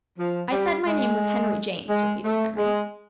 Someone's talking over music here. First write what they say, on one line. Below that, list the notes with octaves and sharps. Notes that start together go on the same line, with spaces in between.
"I said my name was Henry James," repeated Henry.
F3
G3
G#3
G#3
A3
G#3